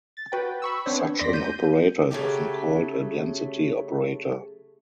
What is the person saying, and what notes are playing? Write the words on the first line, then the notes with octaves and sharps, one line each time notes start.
Such an operator is often called a "density operator".
A6
F#4 B4 G5
B5 C#6 E6
B3 C4 D4 C5 C#5
E2 D5 C6 A#6 B6
G6 D#7
C#3 F#3 A3 G4